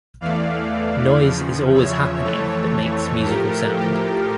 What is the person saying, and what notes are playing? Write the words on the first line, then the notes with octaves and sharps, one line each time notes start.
Noise is always happening that makes musical sound.
E2 E3 A3 D5 F5
E2 C#3 F3
C#5 E5
F2 E3 A3 A4 C#5
A2 F3 A3 G4 A#4
G4